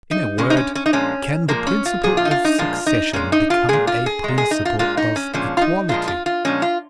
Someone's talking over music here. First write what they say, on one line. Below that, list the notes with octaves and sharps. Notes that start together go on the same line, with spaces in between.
In a word, can the principle of succession become a principle of equality?
D#4
C#3 G#3 C#4
D#4
C#4
C#4
D#4
A#2 F3 G#3 C#4
A#2 F3 G#3 A#3
C#4
F4
A#2 F3 G#4
F4
D#4
F4
D#4
A#2 F3 G#3 F4
D#4
A#2 G#3 C#4
D#4
F4
A#2 G#3 G#4
F4
G#4
A#2 G#3
G#4
D#4
F4
A#2 G#3 F4
D#4
C#4
A#2 F3 G#3 C#4
F4
D#4
A#2 F3 G#3 F4
F4
F4
A#2 F3 G#3 C#4
F4